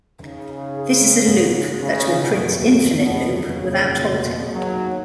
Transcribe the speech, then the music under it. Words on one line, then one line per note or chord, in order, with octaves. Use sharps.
This is a loop that will print "Infinite Loop" without halting.
C#3 D#4
D#4
G#4
G#3
G#2
G#3
C#3 G#3
D#3
B2
F#2
D#2 B2
D#2
B2
F1
C#3 F#3
A#2
A#3
B2 A#3
G#4
F#3
D#4